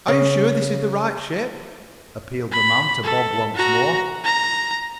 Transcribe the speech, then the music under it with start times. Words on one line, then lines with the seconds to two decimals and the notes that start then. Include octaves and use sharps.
"Are you sure this is the right ship?" appealed the man to Bob once more.
0.08 C#3
2.52 B5
3.04 A4
3.55 F#4 A#5
4.24 A#5